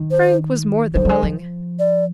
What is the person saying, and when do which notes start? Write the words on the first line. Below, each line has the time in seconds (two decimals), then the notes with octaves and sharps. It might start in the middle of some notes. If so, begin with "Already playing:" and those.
Frank was more than willing.
Already playing: D#3
0.11 C5
0.95 G3 C5
1.05 G3
1.09 G#3
1.23 F3
1.79 D5